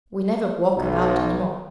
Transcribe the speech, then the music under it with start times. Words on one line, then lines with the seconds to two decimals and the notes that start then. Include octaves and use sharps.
We never walk about any more.
0.75 B1